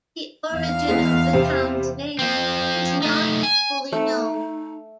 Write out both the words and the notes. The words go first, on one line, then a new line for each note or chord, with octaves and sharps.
The origin of the town's name is not fully known.
E2 F5
G#3 B3 E4
C3 G3 C4
F3 C4
A3 D#4
G#5
A3 D#4